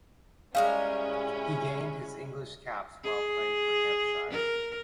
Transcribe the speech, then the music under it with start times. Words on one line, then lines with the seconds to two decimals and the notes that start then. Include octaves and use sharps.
He gained his England caps while playing for Hampshire.
0.55 G3 G#3 C#4 E4 A#4 F5
3.04 G#4
4.31 A#4